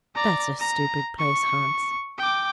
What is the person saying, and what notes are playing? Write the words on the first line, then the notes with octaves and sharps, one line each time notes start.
'That's a stupid place, Hans.
D5 A#5
A#5
C#6
G5 D6